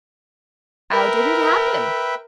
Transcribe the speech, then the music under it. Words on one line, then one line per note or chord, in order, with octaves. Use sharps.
"How did it happen?"
A#4 B4 E5 G5